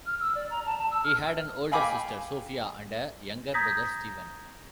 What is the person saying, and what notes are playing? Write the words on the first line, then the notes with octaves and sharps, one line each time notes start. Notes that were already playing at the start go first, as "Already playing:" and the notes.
He had an older sister, Sophia, and a younger brother, Steven.
F6
E6
D5
A#5
A5
A5
E6
F6
F5 G5 G#5 B5 D6
A#5 D#6 G6 G#6 A#6 B6